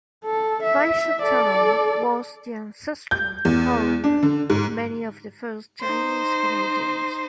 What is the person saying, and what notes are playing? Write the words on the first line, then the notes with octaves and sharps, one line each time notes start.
Baisha town was the ancestral home of many of the first Chinese Canadians.
A4
E5
A4 D5
G6
E2
D4
D3
G#2
D#4 C5